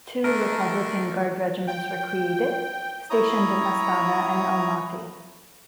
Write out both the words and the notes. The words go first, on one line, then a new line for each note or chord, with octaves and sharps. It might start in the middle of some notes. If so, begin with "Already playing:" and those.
Two Republican Guard regiments were created, stationed in Astana and Almaty.
D3 A3 A#4
G5
E4 C#5 A#5 D#6